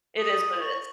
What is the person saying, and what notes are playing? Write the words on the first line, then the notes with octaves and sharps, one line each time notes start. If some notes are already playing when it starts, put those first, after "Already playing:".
It is what it is.
D#6
C#6